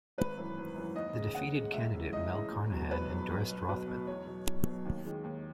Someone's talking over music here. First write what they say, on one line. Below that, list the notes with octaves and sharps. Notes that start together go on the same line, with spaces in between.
The defeated candidate Mel Carnahan endorsed Rothman.
G#1 B4
F#2 E3
G#1
F#2 E3
D#2 D#5
C#3 G#3
D#2 F#5
C#3 G#3
C#2 E5
C#3 E3
C#2 D#5
C#3 E3
E1
E2 B2 F#3
E1 B4
E2 B2 F#3
B1
B2 F#3
B1 B4
B2 F#3
E2 C#5
B2 F#3
E2
B2 F#3
D#2
D#3 G#3
D#2